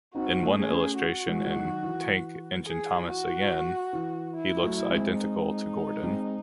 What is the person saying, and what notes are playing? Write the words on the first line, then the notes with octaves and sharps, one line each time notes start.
In one illustration in "Tank Engine Thomas Again", he looks identical to Gordon.
C4 D#4 F#4
A3 C#4
G#4
A3 C#4
F#4
E3 G#3
G#3
D#3 F#3
E3
G#4
F#4
E3
E4
F#3 A3
E4
G#3 C4
D#4
G#3 C4